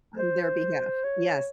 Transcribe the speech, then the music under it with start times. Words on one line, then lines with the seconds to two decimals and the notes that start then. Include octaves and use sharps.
on their behalf Yes.
0.18 C5
1.04 C#5